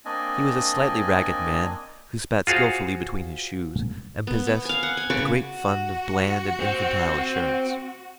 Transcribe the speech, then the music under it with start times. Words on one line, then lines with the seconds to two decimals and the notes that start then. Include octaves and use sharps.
He was a slightly ragged man, who spat skillfully between his shoes and possessed a great fund of bland and infantile assurance.
0.05 A#3 C4 D4 D5 D#5 G#5
2.47 F4 F#4 G#4 C5 F5
4.27 B3
4.47 B3
4.65 F5 G#5
4.83 F#5
4.97 G#5
5.10 C#3 B4 D5 C#6
5.40 F#4
6.61 C4